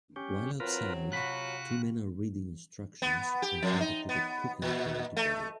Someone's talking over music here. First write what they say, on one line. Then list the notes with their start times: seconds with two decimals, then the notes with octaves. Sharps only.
While outside, two men are reading instructions on how to put a cooking grill together.
0.16 C#4 G4
0.60 F#3 C4 F4 A#4 B4
1.12 C3 F4 F#4 B5 F#6
3.02 B3
3.42 G4
3.63 F2
3.80 D#4
4.09 B3
4.62 A#2
5.17 A3